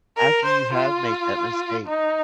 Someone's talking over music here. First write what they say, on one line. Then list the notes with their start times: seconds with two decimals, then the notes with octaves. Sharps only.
after you have made that mistake
0.17 A#4
0.45 C5
0.73 F4
1.87 D#4